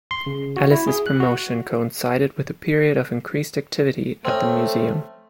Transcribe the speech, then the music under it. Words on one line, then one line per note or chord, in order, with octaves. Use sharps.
Ellis's promotion coincided with a period of increased activity at the museum.
C6
C#3
F#4
E4
G#4
F#6
F#4
A3 C4 C#4 D#5